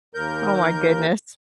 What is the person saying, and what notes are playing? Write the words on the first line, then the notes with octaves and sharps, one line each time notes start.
Oh, my goodness!
D#2 A#4 G6